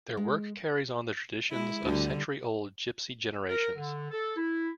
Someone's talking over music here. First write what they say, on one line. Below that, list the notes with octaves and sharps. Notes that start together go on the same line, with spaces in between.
Their work carries on the traditions of century old gipsy generations.
G#3
G#3 E4
D2 D3 G3
A#4
D3
A4
E4